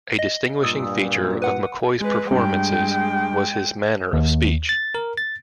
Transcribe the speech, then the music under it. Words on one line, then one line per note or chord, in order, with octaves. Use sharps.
A distinguishing feature of McCoy's performances was his manner of speech.
D#5
G2 A#2 D#6 E6
B4 F#5
G#3 B4
G2 G#3 G5
D#2
A6
A#4
A6